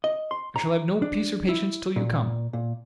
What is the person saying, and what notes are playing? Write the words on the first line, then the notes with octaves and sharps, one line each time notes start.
I shall have no peace or patience till you come.
D#5
C6
A#5
D4
E4
A#2
A#2